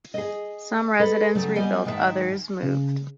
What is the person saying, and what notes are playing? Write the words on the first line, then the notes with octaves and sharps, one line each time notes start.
Some residents rebuilt, others moved.
G#4 D#5
A4 B4 D#5
C#3 F#3 G3 A3
G3 B3 D#5 G#5
G#2 D#3 D#4 A4 E5 A5
C#3